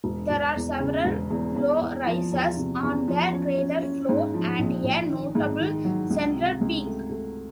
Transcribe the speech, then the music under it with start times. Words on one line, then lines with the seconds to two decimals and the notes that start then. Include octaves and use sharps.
There are several low rises on the crater floor and a notable central peak.
0.04 E1
0.30 E1
0.55 E2
0.80 C#3
1.05 E1
1.30 E2
1.56 E2
1.81 E2
2.06 F3
2.32 E2
2.57 C3
2.83 E2
3.08 F3
3.33 C#4
3.58 C#4
3.83 C#4
4.09 G#2
4.34 F3
4.59 A#1
4.84 A#1
5.10 D#3
5.35 G#2
5.60 D#3
5.85 F#3
6.10 C#2
6.35 C3
6.61 C#2
6.87 A3
7.11 A3